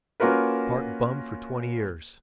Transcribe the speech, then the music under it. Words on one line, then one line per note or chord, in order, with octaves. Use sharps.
Park bum for twenty years.
A#3 C#4 F4 F#4 A#4 B4